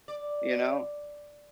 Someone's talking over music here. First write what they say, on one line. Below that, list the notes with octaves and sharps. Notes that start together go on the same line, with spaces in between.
you know?
D5